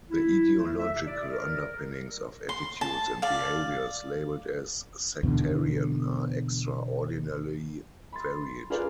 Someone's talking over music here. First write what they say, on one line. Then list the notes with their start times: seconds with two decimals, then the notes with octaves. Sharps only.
The ideological underpinnings of attitudes and behaviours labelled as sectarian are extraordinarily varied.
0.09 E4
0.57 A3
0.79 E5
0.93 C3
1.06 D5
1.32 A#4
2.49 C6
2.81 A5
3.22 D5 F5
5.23 E2 B2 D3
8.12 B5 C6 A6
8.70 F4 G#4 A#4 B4 D5 F5